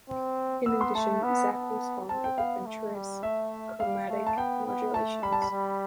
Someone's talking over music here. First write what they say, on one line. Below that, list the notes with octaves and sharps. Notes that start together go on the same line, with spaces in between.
In addition, Zach was fond of adventurous chromatic modulations.
C4
B3 E6
C6
A3 A5
B3
B3
C4 A5
G5
B3 F5
A3
G3
A3 E5
G3 F5
A3
A5
B3 G5
B3
A3 A5
G3 B5
A5
B5
G3